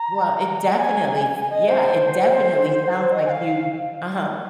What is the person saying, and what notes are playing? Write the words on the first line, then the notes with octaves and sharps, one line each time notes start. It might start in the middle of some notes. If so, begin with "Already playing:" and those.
Well, it definitely s Yeah, it definitely sounds like you Uh-huh.
Already playing: A#5
G#5
D#5
C5
C5
C5
D#5
G#5
F5